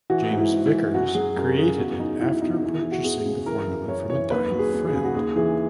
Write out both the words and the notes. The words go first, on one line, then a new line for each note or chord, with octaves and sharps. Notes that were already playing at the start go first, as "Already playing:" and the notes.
James Vickers created it after purchasing the formula from a dying friend.
E3 F#4
G#2
E4
G#2
E4
E3
F#2 F#4
F#3 G#4
F#2 A#4
C#3 G#4
E2 F#4
F#3 D#4
E2 E4
B2 D#4
E2 E4
E3 E4
F#4
E2 G#4
C#3
E3 A#4
F#2
F#2 C#5
E3 C#5
D#2 B4
F#3
G#4
D#2
G#4
C#3
F#4
D#2 G#4
E3 G#4